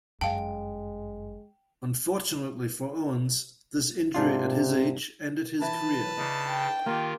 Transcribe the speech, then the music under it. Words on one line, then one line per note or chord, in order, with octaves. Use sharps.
Unfortunately for Owens, this injury at his age ended his career.
G1 F#2 G#3 F5 G5 A5
G#2 C3 D4 F4
E3 B4 A5
C#3 D4 D#4
G5
D#3 A#3 F4 G4